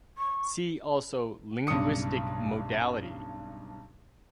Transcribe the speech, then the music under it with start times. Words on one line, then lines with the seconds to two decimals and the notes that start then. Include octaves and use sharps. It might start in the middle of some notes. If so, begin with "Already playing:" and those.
See also Linguistic modality.
0.18 C#6
1.67 B1 G2 C#3 D4 D#6 C#7